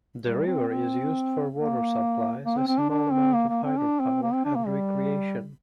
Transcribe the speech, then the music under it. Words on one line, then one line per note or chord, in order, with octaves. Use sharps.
The river is used for water supplies, a small amount of hydropower, and recreation.
G3
C4
C4
A#3
A#3
C4
C4
D4
D4
C4
A#3
A#3
C4
D4
C4
A#3
C4
D4
A#3
G3